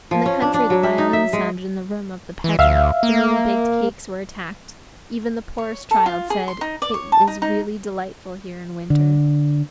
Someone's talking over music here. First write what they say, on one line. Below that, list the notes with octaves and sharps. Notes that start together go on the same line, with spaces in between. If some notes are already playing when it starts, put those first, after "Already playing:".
In the country the violin sounded in the room of the peasant; the newly-baked cakes were attacked; even the poorest child said, "It is really delightful here in winter!"
F3
C#4
D4
D4
F#3
E5
D#4
E5
G#3
E3
D2 E5 F5
A#3
C#5
A4
F4
G#4
C6
D#4
D5
C#5
A5
D#4
D#4
D3